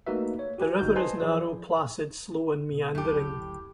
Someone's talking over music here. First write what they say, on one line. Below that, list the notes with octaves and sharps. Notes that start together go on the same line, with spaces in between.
The river is narrow, placid, slow and meandering.
A3 A#3 D#4 F#4 B4 E5
C#5
F#4 G4 B4 G#5
G1 D#4 F#4 G6
B4 C5 D#5 G#5 A5 C6
E3 F3 G#4 C5 D5
B2
F#1 D2 A2 F#3 G4